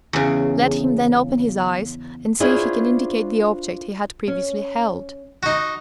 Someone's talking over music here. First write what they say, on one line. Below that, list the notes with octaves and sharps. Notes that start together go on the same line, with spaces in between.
Let him then open his eyes and see if he can indicate the object he had previously held.
E2 C#3
D4 E4 F4 G#4 C5 C#5
C#4
D#4 F#4